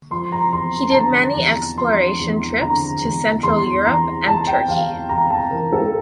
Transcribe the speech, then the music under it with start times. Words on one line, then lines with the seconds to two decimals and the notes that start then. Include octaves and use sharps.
He did many exploration trips to Central Europe and Turkey.
0.11 F3 C6
0.32 A#5
0.52 E2 C6
0.90 A5
0.94 D3 A#5
1.35 E2
1.77 F3 C6
2.20 E2
2.61 D3 A#5
3.02 E2
3.43 E2 C6
3.85 E3 A#5
4.27 E3 A5
4.47 G5
4.68 E2 F5
5.09 E2 A#5
5.30 A5
5.51 E3 A#4
5.73 A4